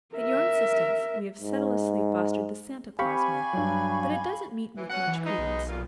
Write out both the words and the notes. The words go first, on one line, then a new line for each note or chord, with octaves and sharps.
At your insistence, we have sedulously fostered the Santa Claus myth, but it doesn't meet with much credence.
A#4 E5
G#2
C4 G4 D5 F5 G5 G#5 B5 C#6
G2 F#3
E3
B2 C#4 F#5
E3
G#3 B3 D#4
B1
A#2 G3 F4